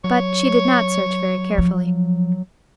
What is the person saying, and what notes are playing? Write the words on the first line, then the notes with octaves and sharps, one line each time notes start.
But she did not search very carefully.
F#3 C#5
F3